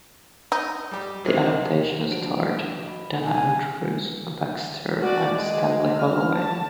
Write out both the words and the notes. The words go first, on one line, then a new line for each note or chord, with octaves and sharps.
The adaptation starred Dana Andrews, Baxter, and Stanley Holloway.
D#4
G3 G4
C3 D#3 F#3 C5
F3 D4 F#4 C5 D7
D#5 B5
B2 D#3 G#5
F#4 D5
G#3
F6
A5